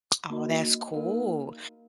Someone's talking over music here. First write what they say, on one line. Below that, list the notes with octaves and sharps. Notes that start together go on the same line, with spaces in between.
Oh, that's cool.
A#3 D#4 F#4 A#4 D#5
A#3 D#4 A#4 F5